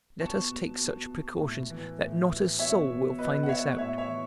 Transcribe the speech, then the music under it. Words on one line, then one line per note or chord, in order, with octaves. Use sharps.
Let us take such precautions that not a soul will find this out.
B2 A5 C#6
B2
B2
B2
A2
E3
A2
E3
B2 C#5 E5
B2
B2 B4 D#5
F#5
B2 C#5 E5
A2 C#5 E5
C#5 E5
E3